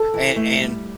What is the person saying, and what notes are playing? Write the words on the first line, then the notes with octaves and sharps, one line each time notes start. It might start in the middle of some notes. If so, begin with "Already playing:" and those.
And and,
Already playing: A4
E3
A3
G3